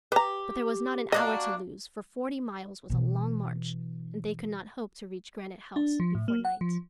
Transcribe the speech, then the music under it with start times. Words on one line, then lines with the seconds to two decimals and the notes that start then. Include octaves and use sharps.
But there was not an hour to lose, for forty miles was a long march, and they could not hope to reach Granite House before night.
0.12 G4 B4 A#5
1.12 A#3 D4 F#4 D#5
2.90 B2 E3
5.76 D4
6.00 F3
6.15 A2
6.28 A#3
6.45 F#5
6.61 F3